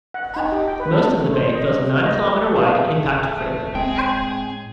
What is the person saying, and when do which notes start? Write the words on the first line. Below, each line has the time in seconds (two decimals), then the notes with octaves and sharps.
Most of the bay fills a nine kilometer wide impact crater.
0.14 F#5
0.36 D#4
0.52 G4
0.67 G5
0.80 B4
0.92 A4
1.21 A3
1.34 C5
1.55 D#5
1.71 G3
2.04 D#5
2.56 A2 A3 G#4 F5 A5
3.75 G#3 C4 G#4 G5 G#5